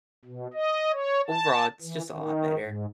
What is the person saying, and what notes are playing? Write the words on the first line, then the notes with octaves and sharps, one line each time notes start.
Overall, it's just a lot better,
B2
D#5
C#5
A5
E3
D#3
G#2